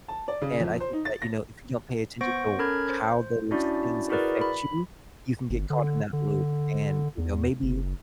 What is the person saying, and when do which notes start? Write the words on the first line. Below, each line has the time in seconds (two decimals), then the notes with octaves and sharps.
and I think that, you know, if you don't pay attention to w how those things affect you, you can get caught in that loop, and, you know, maybe
0.08 A5
0.28 D5
0.42 C#3
0.60 F2
0.80 C5
0.93 D#4
1.05 A6
1.22 A#6
2.21 B3 C5 C#6 A#6 D7
2.59 C#4 A4 A#4 B5 F6 G#6
2.90 C5
3.51 C#4 D4 E4 F#4 D5
4.09 E4 F#4 G#4 A#4 B4 D5
4.41 B5
5.50 G1
5.70 D3
6.13 D3
7.18 E2
7.63 F#1